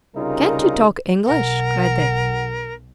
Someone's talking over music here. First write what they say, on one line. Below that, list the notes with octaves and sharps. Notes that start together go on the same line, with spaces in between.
"Can't you talk English?" cried Dick.
C2 C#3 G3 D#4 F4 A#4
B1 A#4 F#5